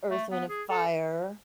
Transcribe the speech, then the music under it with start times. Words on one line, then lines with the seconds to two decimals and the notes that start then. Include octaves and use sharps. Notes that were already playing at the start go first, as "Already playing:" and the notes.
Earth, Wind& Fire,
0.11 A3
0.31 B3
0.49 G#4
0.69 A4